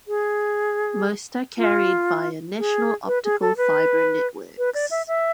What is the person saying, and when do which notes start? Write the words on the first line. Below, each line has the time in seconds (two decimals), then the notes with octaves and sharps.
Most are carried via national optical fibre networks.
0.08 G#4
1.58 F4
2.58 G#4
3.07 B4
3.24 G#4
3.41 A4
3.57 B4
4.58 B4
4.74 D5
4.91 E5
5.08 E5